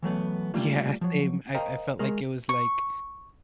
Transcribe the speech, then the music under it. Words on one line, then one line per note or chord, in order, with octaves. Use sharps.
Yeah, same. I I felt like it was, like,
E3 F#3 A3 B3
G3 A3 A#3 F4
F3 F#3
A#4 C5 D#5 F5 G5 A#5
G#3 G#4 A#4
C#6